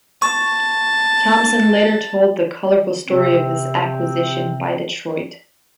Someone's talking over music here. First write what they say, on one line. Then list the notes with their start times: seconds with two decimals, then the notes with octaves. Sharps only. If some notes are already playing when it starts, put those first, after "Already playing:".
Thompson later told the colorful story of his acquisition by Detroit.
0.22 A5 C#6
3.07 C3 C4